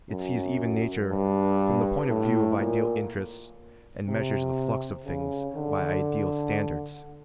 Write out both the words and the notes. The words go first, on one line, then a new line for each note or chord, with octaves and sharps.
It sees even nature from the point of view of ideal interests, and measures the flux of things by ideal standards.
F#2
G2
A2
A#2
C3
C#3
D3